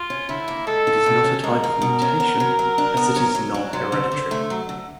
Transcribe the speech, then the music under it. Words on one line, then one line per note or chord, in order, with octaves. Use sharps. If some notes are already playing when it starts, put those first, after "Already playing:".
It is not a type of mutation, as it is non-hereditary.
Already playing: F4
C#4
D3 E4
A#3
G#3 A4
F4
B2
C#4
G#3 A#4
F4
B2
C#4
B3
F#3
F#3
D4
B3
F#3
F#3
D4
F#3 C5
D3
D3
A3
F#3
D3